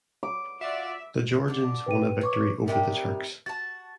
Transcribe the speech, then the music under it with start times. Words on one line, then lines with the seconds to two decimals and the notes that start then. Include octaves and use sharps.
The Georgians won a victory over the Turks.
0.23 D6
0.61 F4 F#4 D5 E5
1.48 D3 D4
1.86 B4 G5 D#7
2.21 B4 C#5 C#6 D6
2.68 C3 G3 D#4 A#4
3.46 F#4 A5 A6